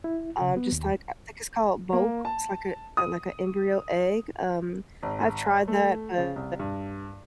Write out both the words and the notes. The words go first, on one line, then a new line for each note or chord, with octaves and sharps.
um, just like, I think it's called boke, it's like a, like a embryo egg, um, I've tried that, but
E4
C#3
B3
D#2
A#3
A5
D#6
G#1
A3
C#3
C2
G2